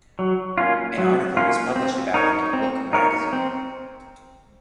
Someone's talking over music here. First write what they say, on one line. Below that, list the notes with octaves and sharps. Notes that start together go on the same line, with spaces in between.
An article was published about him in "Look" magazine.
F#3
A#3 C#4 F4
F#3
A#3 C#4 F4
C4
D#4 A#4 C#5
C4
D#4 A#4 C#5
C4